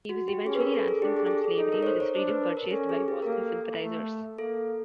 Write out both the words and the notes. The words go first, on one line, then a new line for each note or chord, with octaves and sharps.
He was eventually ransomed from slavery, with his freedom purchased by Boston sympathizers.
F#4
G4
C#4 G#4
B4
A#4
A4
G#4
D4 G4
G#4
A4
G#4
G#4
D#4 A4
A#4
C#5
C5
C#5
D4 C5
B4
A#4
A#4
C#4 A4
G#4
G4
A#4
A#3 A4
A3
A#3 A4